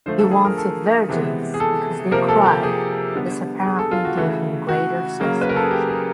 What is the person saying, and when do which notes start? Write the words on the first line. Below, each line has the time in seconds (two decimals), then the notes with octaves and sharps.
He wanted virgins "because they cried"; this apparently gave him greater satisfaction.
0.06 D3 F3 A3 C5
0.19 A4
0.31 G#4
0.45 A#4
0.57 A4
1.09 C3 E3 G#3 B3
1.54 G#4
1.60 A4
2.11 C3 F3 A#3 A#4
2.29 A4
2.46 G4
2.63 G#4
3.15 D3 G3 B3
3.65 G#4
3.79 A4
3.91 F4
4.05 F#4
4.17 C#3 E3 A3
4.69 F#4
5.20 C#3 F#3 A#3
5.41 B4
5.49 A#4
5.56 A4
5.63 G#4
5.71 G4
5.89 G#4